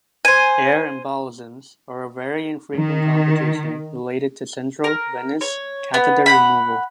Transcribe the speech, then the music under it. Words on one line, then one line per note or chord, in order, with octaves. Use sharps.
Air embolisms are a very infrequent complication related to central venous catheter removal.
C5 G#5
D#3
A#4
C#5
B3
F#5 G5 B5